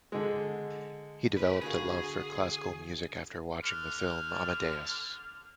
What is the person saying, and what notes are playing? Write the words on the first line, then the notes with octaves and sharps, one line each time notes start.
He developed a love for classical music after watching the film "Amadeus".
D3 G#3
A#4 B4
D3 F#4 G#4 F5
D3 F6